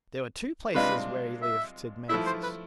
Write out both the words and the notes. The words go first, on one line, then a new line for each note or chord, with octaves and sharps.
"There were two places where he lived," said Mansus.
C3 G#3 D4 F4 B4
E5
F3 A3 E4 E5
C5
B4